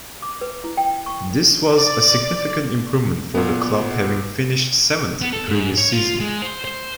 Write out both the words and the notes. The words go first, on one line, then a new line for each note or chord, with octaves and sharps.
This was a significant improvement for the club having finished seventh the previous season.
D6
B4
E4
G5
C#6
D5
A#2 B3
B3
A4
G#2
C#5
F4
G#3
C5
C5